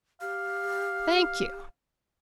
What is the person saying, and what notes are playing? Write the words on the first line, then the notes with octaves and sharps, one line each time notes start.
'Thank you.
G4 F5